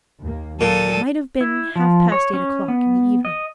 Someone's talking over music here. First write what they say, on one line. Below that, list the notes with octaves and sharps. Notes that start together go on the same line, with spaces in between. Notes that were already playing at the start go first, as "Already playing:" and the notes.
It might have been half-past eight o'clock in the evening.
D#2 A#3
A#2 F#3 A4 D#7
E4
F3
C#5
C#4
B3
D#5